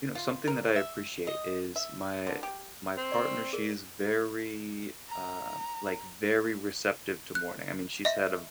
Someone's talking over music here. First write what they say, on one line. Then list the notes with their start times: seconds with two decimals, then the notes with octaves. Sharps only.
you know, something that I appreciate is my my partner, she's very, uh like, very receptive to mourning. I mean, she's had a v
0.15 F4
0.48 A#4
0.76 E5
1.27 D#5
1.76 E5
2.27 D3
2.43 G4
2.97 C4
3.12 D5 C#6
3.53 G#4 A#4
5.08 A#5
7.35 F#6
8.05 D#5 E5